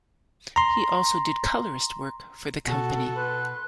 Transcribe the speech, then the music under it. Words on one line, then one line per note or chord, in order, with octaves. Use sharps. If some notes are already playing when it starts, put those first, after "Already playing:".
He also did colorist work for the company.
A#5 C6
B2 F#4 A4 F#5
B4 C6 F#6